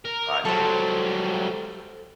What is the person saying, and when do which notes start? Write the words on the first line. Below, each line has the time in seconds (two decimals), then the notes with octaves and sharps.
hothead, he'd go off in a
0.05 A#4
0.45 F#3 G3 A4 C5